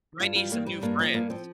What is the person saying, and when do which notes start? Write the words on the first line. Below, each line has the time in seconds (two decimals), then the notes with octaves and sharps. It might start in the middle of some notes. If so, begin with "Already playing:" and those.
Might need some new friends.
0.20 G2 F4
0.35 G3 F4
0.52 G2 A#3
0.67 G3 C4
0.82 G2 A#3
0.99 F3
1.14 G2 A#3
1.30 F3 C4